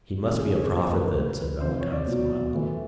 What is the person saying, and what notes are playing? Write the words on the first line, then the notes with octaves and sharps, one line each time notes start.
"He must be a prophet, then," said Valentine, smiling.
C3 D#3 F#3 G4
G#4
C#5
A#2 F3 C5
C5
B4
A#4
A2 F3 B4
C3 F3 C5
C#5
D5
B2 F#3
A2 E3